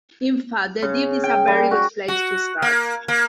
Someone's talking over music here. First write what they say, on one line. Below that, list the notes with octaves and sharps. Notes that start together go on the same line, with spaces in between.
In fact, the Deep is a very good place to start.
C#3
G5
G3
F#4
F#4
A#3
A#3